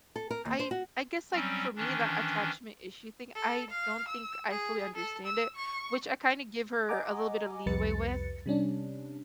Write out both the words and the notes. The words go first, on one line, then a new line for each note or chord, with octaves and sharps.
I I guess, like, for me, that attachment issue thing, I don't think I fully understand it, which I kinda give her a little bit of leeway with,
A4
A#4
D#2
C5
F#4
F#3 G3 C4 C#4
D#3 E3 C#4 D4
A4
F5
E6
G#4
A4
E6
C#6
D#5 F#5 G#5 A#5 D6
C2 F2 G3 B4 A6 C#7
C3 G3 C#4 D4